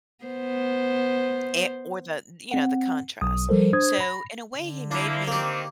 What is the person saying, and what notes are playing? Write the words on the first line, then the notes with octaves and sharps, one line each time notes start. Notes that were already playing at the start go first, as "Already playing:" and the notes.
A or the, th you know, the contrast. So, in a way, he made me
B3 C5
C4 F#5
B1 D#6
F3 G3 A4 A#4 C5
D4 C5 D#6 G#6
B5 A#6
D3
F3 A#3 D4 E4
D#3 A#3 C4 G4